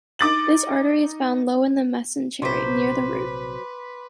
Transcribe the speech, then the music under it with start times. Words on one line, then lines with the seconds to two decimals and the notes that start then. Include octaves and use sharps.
This artery is found low in the mesentery, near the root.
0.19 D#4 D6 A6 F#7
2.42 A#1 C3 F#3 B4 C5 C6 D6 B6